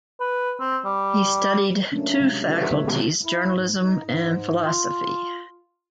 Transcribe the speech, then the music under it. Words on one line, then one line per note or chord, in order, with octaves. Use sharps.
He studied two faculties journalism and philosophy.
B4
C4
G3
F#3 A3 A#3 C#4 D4
C3 F#3 G#3
E4 F#4 A4 B4 D5 E5
C#3 F#3 G3 A#3 D#4 C#5
B2 D#3 G#3 B3
E4
G#2
D#4
G#2
F4